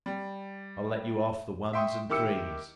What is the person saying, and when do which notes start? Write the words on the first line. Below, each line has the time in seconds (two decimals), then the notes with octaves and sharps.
I'll let you off the ones and threes.
0.06 G3
1.73 E5 G5 C6 C#6 D#6
2.09 D#3 E4 G4 D6 E6 C#7